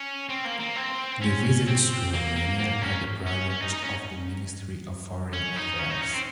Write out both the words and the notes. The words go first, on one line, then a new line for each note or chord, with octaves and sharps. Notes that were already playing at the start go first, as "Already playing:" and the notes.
The visits to Romania are the project of the Ministry of Foreign Affairs.
Already playing: C#4
C4
A#3
A#3
C4
C#4
C4
A#3
A#3
A#3
C#4
C#4
C#4
D#4
D#4
C#4
C#4
D#4
C#4
D#4
C#4
C4